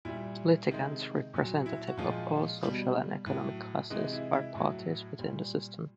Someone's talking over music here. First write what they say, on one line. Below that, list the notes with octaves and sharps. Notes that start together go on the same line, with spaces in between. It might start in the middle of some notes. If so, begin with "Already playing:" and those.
Litigants representative of all social and economic classes are parties within the system.
A#2 G3 E4
C3 D#3 G#3
A#2 F#3
E4
F#4
A#2 F3 G#3 F4
B2 G3
A2 F#3
C3 E3 G#3 D#4
E4
E4
A2 F#3
A#2 G3